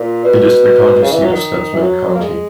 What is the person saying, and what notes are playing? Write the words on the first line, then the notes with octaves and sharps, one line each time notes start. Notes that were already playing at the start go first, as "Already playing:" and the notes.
It is the county seat of Stutsman County.
Already playing: A#2
B2
C#3
E3
F#3
D#3
E3
F#3
A#3
G#3